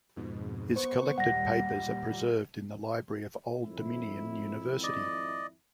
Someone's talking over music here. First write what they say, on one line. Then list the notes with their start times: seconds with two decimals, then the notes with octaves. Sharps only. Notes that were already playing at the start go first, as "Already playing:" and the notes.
His collected papers are preserved in the library of Old Dominion University.
0.16 F2 G#2 B2
0.76 B3 C5 C#6
1.18 D#2 A#2 G3 F#5 A#6
3.65 G#1 F2 E4
4.83 D5 D#5